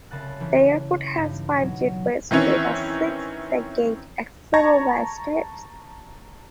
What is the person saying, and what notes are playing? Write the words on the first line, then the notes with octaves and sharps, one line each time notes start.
The airport has five jetways with a sixth gate accessible via stairs.
C2 C#3 A5 F#6
E3 A3 C#4
G2 D#4
B2 F#3
D#3 E3 C4 C#4 E4
A5 A#5 C#6 G#6 A#6